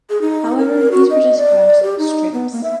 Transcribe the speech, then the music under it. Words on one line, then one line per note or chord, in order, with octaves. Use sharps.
However, these were just grass strips.
G#4
D#4
A#4
F#4
D#5
D5
G4
D#4
B3
A#3
E5